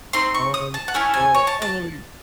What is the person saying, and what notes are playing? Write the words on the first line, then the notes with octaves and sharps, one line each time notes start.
Um, so, I don't really
A3 C4 D#4 C6
C#6
D#6
A5
F#5
A3 C#4 E4 A4 G#5
G#5
C#5
A5
A5